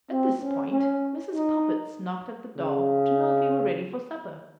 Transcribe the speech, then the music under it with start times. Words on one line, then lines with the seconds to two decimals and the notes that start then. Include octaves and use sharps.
At this point, Mrs. Poppets knocked at the door to know if we were ready for supper.
0.11 C4
0.41 C#4
0.72 C#4
1.33 D#4
2.56 C#3